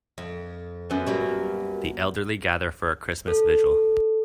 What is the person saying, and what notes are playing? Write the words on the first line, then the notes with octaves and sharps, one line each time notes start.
The elderly gather for a Christmas vigil.
F2
F#2 B3
F#3 G3 A#3
A4